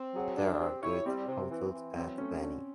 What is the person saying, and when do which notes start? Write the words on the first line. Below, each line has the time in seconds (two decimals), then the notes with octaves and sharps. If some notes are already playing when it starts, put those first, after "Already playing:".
There are good hotels at Vani.
Already playing: C4
0.15 F#3 G#4
0.37 D4
0.60 C4 G4
0.83 E4 C#5
1.06 G3 C4
1.28 C3
1.51 E3
1.73 E3
1.95 F#3 C4
2.18 A3 C#4
2.40 D3